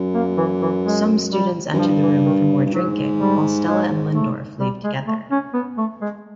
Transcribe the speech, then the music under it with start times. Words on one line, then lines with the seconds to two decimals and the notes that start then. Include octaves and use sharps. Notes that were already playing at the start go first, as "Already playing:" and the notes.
Some students enter the room for more drinking, while Stella and Lindorf leave together.
Already playing: F#2
0.14 A#3
0.38 E3
0.62 E3
0.85 G#3
1.32 G3
1.74 F#2
1.78 G2 F3
2.03 E3
2.26 D#3
2.66 G2
2.72 G#2 F#3
3.20 G3
3.67 G#3
4.14 A3
4.60 G3
4.84 G#3
5.07 A3
5.31 C#4
5.54 B3
5.78 A3
6.02 G#3